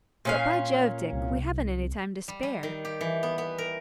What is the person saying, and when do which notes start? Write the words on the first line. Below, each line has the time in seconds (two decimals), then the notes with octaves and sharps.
But, by Jove, Dick, we hadn't any time to spare.
0.25 A#2 C#4 F5
1.12 C2
2.28 G3
2.43 G3
2.63 D#3
2.85 G4
3.01 E3
3.23 B3
3.38 B3
3.58 A#4